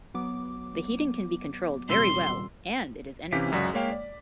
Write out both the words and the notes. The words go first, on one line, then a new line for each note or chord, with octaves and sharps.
The heating can be controlled very well, and it is energy efficient.
F#3 B3 D6
D#1 C3 C6 E6
C3 E3 C#4 G4 F5 B6
C#2 F#2 F#4 D5
G#3 A#3 C#5 F5 G5
D5